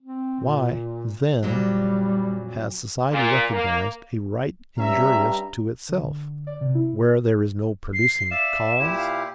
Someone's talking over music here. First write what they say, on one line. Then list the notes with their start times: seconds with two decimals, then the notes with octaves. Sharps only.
Why, then, has society recognized a right injurious to itself, where there is no producing cause?
0.01 C4
0.40 A#2
1.43 F2 A#2 F#3 G3
3.11 A#2
3.51 A#3
4.78 G2 C#4 E5 A#5
5.89 D3
6.47 D5
6.61 C3
6.75 E4
7.94 C7
8.31 D5 E5 F5 E7
8.79 A#2 E4 G4
8.97 F5